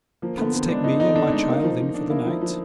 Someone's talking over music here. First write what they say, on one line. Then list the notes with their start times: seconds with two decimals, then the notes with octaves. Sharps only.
"Canst take me and my child in for the night?"
0.22 F3 A#3
0.37 D3 B3
0.53 D3 C4
0.69 G#3 D4
0.84 F3 D#4
1.00 D3 D#4
1.15 D3 D4
1.31 G#3 D#4
1.48 A#3
1.63 F3
1.79 F3
1.94 D4
2.10 A#3 E4
2.26 F3
2.41 F3